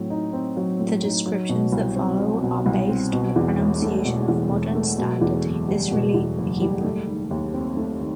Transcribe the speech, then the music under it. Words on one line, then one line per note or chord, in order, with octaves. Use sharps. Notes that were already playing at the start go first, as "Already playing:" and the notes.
The descriptions that follow are based on the pronunciation of modern standard Israeli Hebrew.
Already playing: A2 F#3 C4
D#4
C4
F#3
A2
D#4
F#3
B2
C2
C4
F#3
B2
C2
C4
B2
E2
E1
A3
B2
E2
E1
A3
B2
E2
F#1
G3
B2
E2
F#1
G3
A3
D#3
D#2
C4
A3
D#3